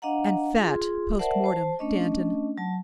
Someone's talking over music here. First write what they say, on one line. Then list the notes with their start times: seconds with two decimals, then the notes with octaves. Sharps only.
And fat, postmortem, Danton.
0.02 D4 D#5 F5 F#5 A#5
0.59 F4 G#4 C6
1.19 A#4 C5 D5 E5 F#5 A5
1.44 C5 A5
1.79 A3 C#4 D4 D#5
2.58 F#3 A5